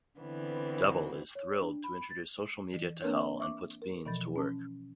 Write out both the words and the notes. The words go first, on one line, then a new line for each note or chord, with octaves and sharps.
Devil is thrilled to introduce social media to Hell and puts Beans to work.
D3 E3 B3 C4
C#5
D4
B5
A6
E3
A#3 C4 D4 A#4 B4 C#5
E5 C#6 D6
A#4
B2 E3 F3 B5 G6 A6
C#4 A5